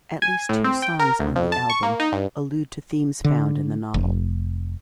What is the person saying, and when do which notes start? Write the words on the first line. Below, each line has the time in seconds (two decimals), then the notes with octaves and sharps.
At least two songs on the album allude to themes found in the novel.
0.22 G#5
0.49 A2
0.64 C4
0.82 G5
0.99 A#4
1.19 D2
1.36 F2
1.52 A5
1.70 C#6
1.83 A#3
2.00 D#4
2.12 G2
3.24 D3
3.94 F1